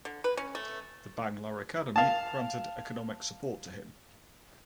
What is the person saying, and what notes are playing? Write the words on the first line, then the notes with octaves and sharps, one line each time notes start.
The Bangla Academy granted economic support to him.
D3
B4
C#4
A3
F5 A5